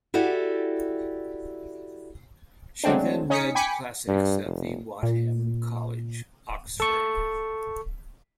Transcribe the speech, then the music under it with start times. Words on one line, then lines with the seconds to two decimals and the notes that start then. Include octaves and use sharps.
She then read Classics at Wadham College, Oxford.
0.14 E4 F#4 G4 A4 D5 E5
2.84 F#3 G#3 A3 C4 D4
3.30 C#4 D#4 D#6 B6 C#7
3.55 G5 G#5 B5 D6 B6 C#7
4.08 G2
4.45 F1
5.03 A#2
6.80 A4 C#6